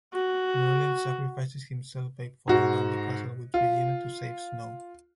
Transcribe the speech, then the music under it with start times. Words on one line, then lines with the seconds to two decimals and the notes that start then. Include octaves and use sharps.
Merlin sacrifices himself by falling down the castle with Regina to save Snow.
0.13 F#4
2.48 G#2 F#4
3.54 F4